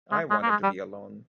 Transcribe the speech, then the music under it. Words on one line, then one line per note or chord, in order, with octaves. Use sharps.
I wanted to be alone.
G#3
G#3
A#3
G#3
G3